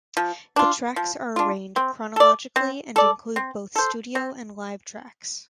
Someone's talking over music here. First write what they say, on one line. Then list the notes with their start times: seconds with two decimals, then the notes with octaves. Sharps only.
The tracks are arranged chronologically and include both studio and live tracks.
0.17 F3
0.56 D4 F4
0.96 F3
1.36 D4 F4
1.76 C4
2.16 A4 D5
2.56 C4
2.96 A4 D5
3.36 C4
3.76 A4 C5
4.15 C4